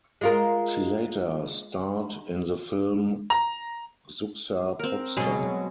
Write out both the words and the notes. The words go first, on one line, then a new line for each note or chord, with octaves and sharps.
She later starred in the film "Xuxa Popstar".
G#3 F4 A#4
A#5
C4 A#4
B2 F#3 G#3 G#4